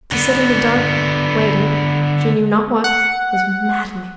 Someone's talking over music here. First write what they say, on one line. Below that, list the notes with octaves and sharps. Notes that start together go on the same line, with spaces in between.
To sit in the dark, waiting, she knew not what, was maddening.
D3 B3
F#5